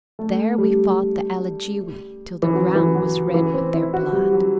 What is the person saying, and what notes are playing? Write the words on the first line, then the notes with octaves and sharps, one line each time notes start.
There we fought the Alligewi, till the ground was red with their blood.
A3
G3
E3
F#3
E3
F#3
E3
C4
E4
F#4
G3
F#3